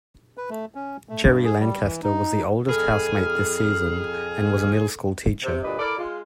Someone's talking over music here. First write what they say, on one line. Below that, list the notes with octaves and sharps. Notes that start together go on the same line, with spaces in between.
Gerry Lancaster was the oldest housemate this season, and was a middle school teacher.
B4
A3
C#4
A3
G2
G#4
G3
E3
D#4
F2 G#4 A4 B5 F6
C3
D2 G2 A#2 B4 D#5
E4 A4 A#4 D5
G#3 F4